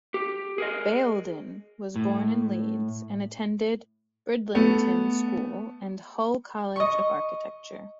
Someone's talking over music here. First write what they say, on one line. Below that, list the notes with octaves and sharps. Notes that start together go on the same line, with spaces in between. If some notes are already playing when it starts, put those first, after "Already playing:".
Bayldon was born in Leeds and attended Bridlington School and Hull College of Architecture.
G4
G#4 A#4 D#5
A2
A3 B3
D#5 C#6